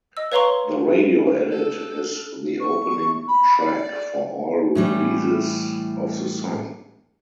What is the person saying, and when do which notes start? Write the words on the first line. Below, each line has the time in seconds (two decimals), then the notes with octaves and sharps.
The radio edit is the opening track for all releases of the song.
0.17 D#5 E6
0.32 B4 C#5 F5 A#5 C6 C#6
1.50 A4
2.60 C#6
3.28 B5
3.60 D5
4.75 A2 E3 G3